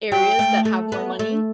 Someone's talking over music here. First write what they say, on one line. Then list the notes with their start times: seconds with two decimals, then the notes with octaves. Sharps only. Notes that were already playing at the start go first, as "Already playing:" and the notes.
areas that have more money.
0.12 F#3 G5
0.39 A3
0.65 A3
0.92 B3
1.19 A3